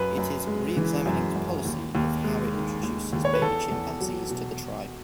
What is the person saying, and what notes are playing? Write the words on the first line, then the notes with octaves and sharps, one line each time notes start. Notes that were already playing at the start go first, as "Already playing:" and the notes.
It is reexamining its policy of how it introduces baby chimpanzees to the tribe.
Already playing: F#2 B4
F#2
G#3
E3
F#2
F#2
D#2
D#2
G#3
D#3
D#2
D#2
C#5
B4
E2 A4
E2
F#3
B2